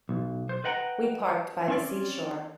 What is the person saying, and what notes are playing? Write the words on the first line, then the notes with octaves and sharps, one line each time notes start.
We parked by the seashore.
B1
C5
B4 D#5 F#5 G5 A#5
C4 C#4 D5